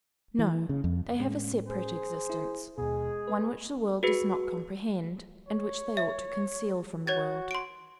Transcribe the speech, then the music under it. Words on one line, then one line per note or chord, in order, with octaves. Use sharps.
No, they have a separate existence, one which the world does not comprehend, and which they ought to conceal from the world.
E3
C#3
F2
A2 G#3 C#4
G#4 C5
E4
D#2 B2 G#3 G#4
B4
F#4 G#4 B4
C#5
E5
F#4 C#5 G#6 A6
C6 D7